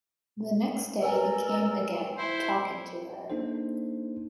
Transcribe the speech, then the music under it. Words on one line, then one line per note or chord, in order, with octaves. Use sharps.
The next day he came again, talking to her.
A#4 B4 D5 G#5 E6
E4 C5 C6
A#3 D4 D#4 A4 C5